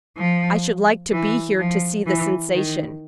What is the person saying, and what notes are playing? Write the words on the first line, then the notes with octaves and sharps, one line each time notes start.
I should like to be here to see the sensation.
F3
E3
F3
E3
D#3